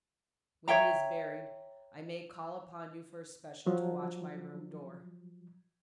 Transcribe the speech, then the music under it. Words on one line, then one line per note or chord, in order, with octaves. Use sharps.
When he is buried, I may call upon you for a special to watch my room door.
C#5 E5 G5 A#5
F3 F#3